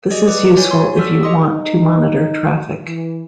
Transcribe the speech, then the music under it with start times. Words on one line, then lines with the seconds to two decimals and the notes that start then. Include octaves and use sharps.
This is useful if you want to monitor traffic.
0.11 G#4 D5 D#5
0.27 B4 D5 D6
0.57 E4 F#4 C#5 G#5
0.71 C6
0.96 F#4 A4 D5 E6 F6
1.23 G4 D#5 C6 D#6
1.50 D#4
2.85 E3